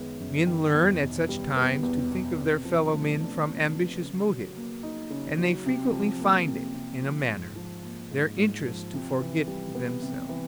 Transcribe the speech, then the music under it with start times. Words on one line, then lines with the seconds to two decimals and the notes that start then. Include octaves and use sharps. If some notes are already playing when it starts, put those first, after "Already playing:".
Men learn at such times to think of their fellow-men from ambitious motives; and they frequently find it, in a manner, their interest to forget themselves.
Already playing: F#2 D#3 G#3 B3
0.20 F#2
0.47 D#3
0.74 E2
1.01 B2
1.29 G3
1.56 B3
1.83 E2
2.11 B2
2.38 C3
2.65 F3
2.92 A3
3.20 D4
3.47 C3
3.74 F3
4.02 C#3
4.28 F#3
4.57 A#3
4.83 D#4
5.10 C#3
5.38 F#3
5.66 C3
5.93 F3
6.20 A#3
6.47 C3
6.74 C3
7.02 F3
7.29 G#2
7.56 F3
7.84 A#3
8.11 G#2
8.38 G#2
8.66 F3
8.93 C3
9.20 E3
9.48 G3
9.75 B3
10.02 C3
10.29 E3